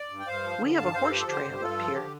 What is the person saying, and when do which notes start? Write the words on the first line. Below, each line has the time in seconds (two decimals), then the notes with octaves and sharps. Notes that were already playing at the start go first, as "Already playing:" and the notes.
we have a horse trail up here
Already playing: D5
0.10 G2
0.19 G5
0.26 G2 C5 F5
0.43 F3
0.61 D3
0.77 G2 F5 A5
0.94 G2 C5 F5
1.04 A4
1.11 F3 G4 C5
1.20 A4
1.28 D3 G4 C5
1.45 G2
1.51 G4
1.61 G2 F4 A4
1.79 F3
1.95 D3 G4